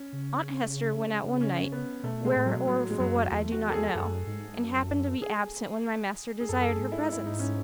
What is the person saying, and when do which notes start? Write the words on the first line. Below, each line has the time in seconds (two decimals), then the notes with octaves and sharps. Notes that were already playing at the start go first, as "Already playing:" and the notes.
Aunt Hester went out one night,--where or for what I do not know,--and happened to be absent when my master desired her presence.
Already playing: C#4
0.13 C#3
1.41 C#4
1.72 B3
2.03 B2 A3
2.25 G#3
2.36 A2
2.46 F#3
2.56 B2
2.67 A2 F#3
2.90 G#3
2.99 F#2 F#3
3.30 E2 A3
3.52 F#4
3.69 A4
3.74 G#4
3.94 F#2 A4
4.27 G#2
4.58 F#2
5.22 G#4
6.41 G#4
6.49 F#2 A4
6.61 A4
6.70 G#4
6.80 G#2
6.92 E4
7.12 E4
7.26 D#4
7.39 C#4